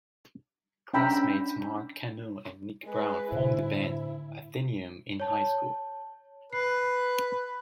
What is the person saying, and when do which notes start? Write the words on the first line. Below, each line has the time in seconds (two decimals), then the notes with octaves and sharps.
Classmates Mark Kano and Nic Brown formed the band, Athenaeum, in highschool.
0.94 C#4 D4 G5 A#5 B5 E6
2.84 G#3 B4
3.32 A2 D3 E4 C5 E5
5.20 C#5 A5
6.53 B4 C7